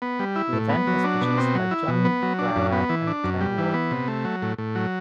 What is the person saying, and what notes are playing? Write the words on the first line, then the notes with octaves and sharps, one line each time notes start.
The event was produced by John Brower and Ken Walker.
B3
G3
E4
A2
B3
F#3
D4
B2
C4
F#3
E4
B2
B3
F#3
D4
F#2
B3
E3
D4
F#2
G3
E3
B3
C3
A3
F#3
A2
A2
F#3